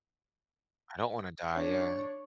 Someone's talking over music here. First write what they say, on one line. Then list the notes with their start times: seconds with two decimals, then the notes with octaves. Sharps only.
I don't wanna die yeah.
1.55 D4 C#5